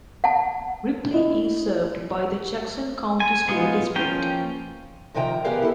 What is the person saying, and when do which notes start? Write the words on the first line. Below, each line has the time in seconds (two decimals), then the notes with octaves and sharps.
Ripley is served by the Jackson County School District.
0.24 F#5 A5
1.13 E4 D#5
3.20 G#5
3.48 G#3 B3 D#4 F4
3.95 F3 A#3 C#4 G5
5.14 C3 D#3 F3 G5 G#5 A#5
5.45 B3 G4 G#4 A#4 F5
5.60 B3 E4 A4